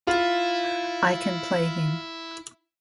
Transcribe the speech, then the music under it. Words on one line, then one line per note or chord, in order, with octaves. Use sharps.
I can play him.
E4 F4